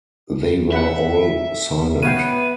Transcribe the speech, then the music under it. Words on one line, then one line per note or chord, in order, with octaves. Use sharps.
They were all silent.
B4 E5 F#5 B5
B3 B4 C#5 F5 G5 D#7